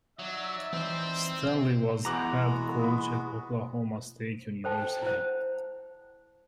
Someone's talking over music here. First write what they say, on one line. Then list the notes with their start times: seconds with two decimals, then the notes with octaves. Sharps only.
Stanley was head coach at Oklahoma State University.
0.19 F#3 D#4 D5 E5
0.73 E3 C4 C5
2.05 E2 G#3 B3 F#4 A#5 D6 F#6 F#7
2.79 B5 D#6
4.64 A4 C5 G5 A5
5.02 E4 C5